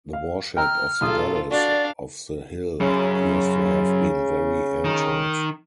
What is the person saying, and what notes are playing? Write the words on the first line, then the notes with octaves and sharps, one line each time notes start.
The worship of the goddess of the hill appears to have been very ancient.
F5
G5 A#5 E6 F6
B1 F4 G#4 A4 D#6
D4 F#4 D5 F5
F#2 C#3
D#3 D#4